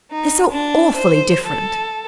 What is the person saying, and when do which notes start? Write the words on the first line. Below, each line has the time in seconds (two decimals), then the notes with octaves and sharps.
They're so awfully different!'
0.11 D#4
0.50 D4
0.96 C5
1.46 A4